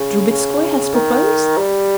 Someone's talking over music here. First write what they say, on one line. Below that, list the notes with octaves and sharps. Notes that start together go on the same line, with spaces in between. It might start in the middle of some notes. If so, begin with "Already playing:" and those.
"Drubetskoy has proposed?"
Already playing: C#3
C#3
D#3
G3